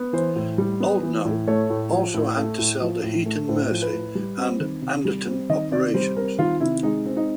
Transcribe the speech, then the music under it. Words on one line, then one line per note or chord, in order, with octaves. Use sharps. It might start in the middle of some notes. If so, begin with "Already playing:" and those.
Oldknow also had to sell the Heaton Mersey and Anderton operations.
Already playing: B3
E3 C5
A2
G3
B3
E3
A2
A3 C#5
A2
F3
A2
A3
A2
F3
A2
A3
A2 C5
F3
B4
A2
G3
C4
D#3
C3
G3
C4
D#3 D#5
C3 D5
G3 C5
C4 A#4
D#3 F4
C3 E4
G#3 D#4
C4
D#4